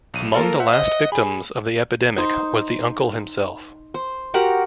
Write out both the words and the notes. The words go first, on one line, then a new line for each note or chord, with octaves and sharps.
Among the last victims of the epidemic was the uncle himself.
B1 D#7
A#3 F4 A4 A#4
C5 E5 F#5
D#5
G#4 B5
D#4 C5
C5
F#4 G4 A#4 F#5